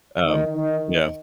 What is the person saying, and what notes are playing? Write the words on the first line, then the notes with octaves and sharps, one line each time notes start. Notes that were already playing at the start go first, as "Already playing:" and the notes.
Um, yeah.
D#3
D#3